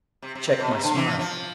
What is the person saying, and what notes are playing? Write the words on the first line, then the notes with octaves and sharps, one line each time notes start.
I checked my smile.
C3
C3
C3
B2
C3
D3
E3
F3
F3